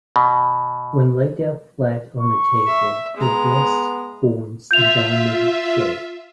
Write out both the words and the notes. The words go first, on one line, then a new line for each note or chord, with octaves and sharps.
When laid out flat on a table the vest forms a diamond shape.
B2
C#6
E5
G#3 B3 A#5
F4 E5 G6 F7